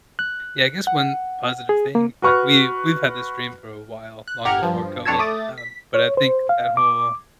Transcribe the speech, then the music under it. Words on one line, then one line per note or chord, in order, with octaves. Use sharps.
Yeah, I guess one positive thing, like, we've we've had this dream for a while, long before COVID, um, but I think that whole
F#6
F#5
G#4
A#3
F#4 B4 C#6 F6
F#6
G1 G4 F#5 A#5 F6 G#6
G2 F3
F2 D4 C#5 A5 E6 G#6
A3 D6 D#6 A6
B6
C#5
C5
F5
D6